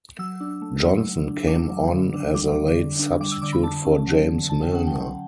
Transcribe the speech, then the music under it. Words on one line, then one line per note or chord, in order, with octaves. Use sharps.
Johnson came on as a late substitute for James Milner.
F#3 E6
D4
A3
F#3
F#3
D4
A3 D6
F#3
D3
D4
G3 D6
D3
D3
D4
G3 D6
E6
D3 D6
B5
D3 A5
C#4
F#3
D3
D3 A5
G5
C#4 F#5
G5
F#3